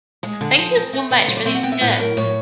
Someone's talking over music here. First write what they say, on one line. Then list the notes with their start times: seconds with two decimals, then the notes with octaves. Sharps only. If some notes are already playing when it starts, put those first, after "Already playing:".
Thank you so much for these tips and
0.23 G#3 G#4
0.41 D3
0.58 F3
0.77 C4
0.93 A3
1.11 C#3 B4
1.28 F#3 C5
1.37 D5
1.45 C4 E5
1.55 F#5
1.63 B3 G5
1.72 E5
1.81 A2 C5
1.89 B4
1.99 F#3 A#4
2.17 A2 C#5